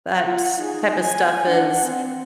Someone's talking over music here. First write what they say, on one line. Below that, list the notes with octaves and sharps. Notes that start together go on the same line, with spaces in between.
that's type of stuff is
F4 F#5
D#4 G#4
G#5
D4 F#5
C4